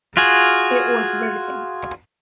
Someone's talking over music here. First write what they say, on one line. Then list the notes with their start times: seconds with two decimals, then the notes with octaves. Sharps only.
It was riveting.
0.17 F4 F#4 G#4